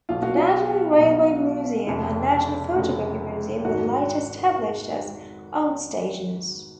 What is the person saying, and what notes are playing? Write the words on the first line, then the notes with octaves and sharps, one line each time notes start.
The National Railway Museum and National Photography Museum were later established as "outstations".
B1 B2 F4
F#4
F4
B1 B2
F1 F2 C#3
F1 F2 C#3
G#1 G#2 F#4